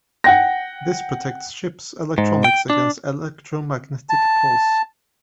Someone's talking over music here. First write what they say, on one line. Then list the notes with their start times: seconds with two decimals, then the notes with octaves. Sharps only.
This protects ship's electronics against electromagnetic pulse.
0.24 F#5 G5 A#6
2.18 G#2
2.44 G5
2.70 D4
4.09 A5